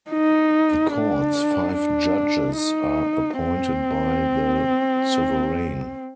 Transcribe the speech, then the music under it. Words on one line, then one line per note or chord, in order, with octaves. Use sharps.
The Court's five judges are appointed by the Sovereign.
D#4
D4
D4
D#4
C4